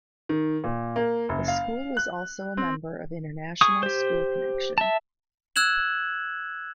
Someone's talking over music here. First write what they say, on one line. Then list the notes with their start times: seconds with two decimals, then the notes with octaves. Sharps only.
The school is also a member of International School Connection.
0.29 D#3
0.64 A#2
0.96 A#3
1.29 F#1
1.48 F5
1.97 F#6
2.57 C4
3.61 G#4 C#6 D#6
3.83 G4 C5
4.78 E5 A5
5.56 E6 F#6 G#6 E7 F#7